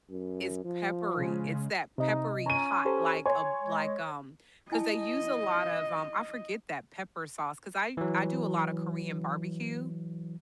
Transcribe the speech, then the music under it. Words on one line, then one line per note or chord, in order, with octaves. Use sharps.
It's peppery, it's that peppery hot, like a b like, um 'Cause they use a lot of, um I forget that pepper sauce, 'cause I I do a lot of Korean barbecue,
F#2
F3
C#3 G#3
C3 D#4 D#5
C#4 A#5 D#7
G4 A4 C5
C#5 G#5 C6
G#3
E4 D#5 G#5 A5
E3 F#3